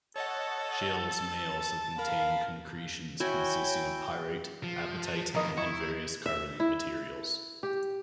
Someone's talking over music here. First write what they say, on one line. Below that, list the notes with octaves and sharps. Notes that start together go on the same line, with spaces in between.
Shales may also contain concretions consisting of pyrite, apatite, or various carbonate minerals.
A4 C#5 D#5 F#5 A5
A6
A#4 F5 B5
E4 F#4 C#5 G5 G#5
F3
F2 D#3 A#4 D#5
E4 C#6
E5
E4
G4